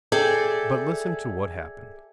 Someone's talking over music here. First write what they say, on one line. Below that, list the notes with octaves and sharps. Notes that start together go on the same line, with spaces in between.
But listen to what happened.
G#4 A4 D5 E5 G5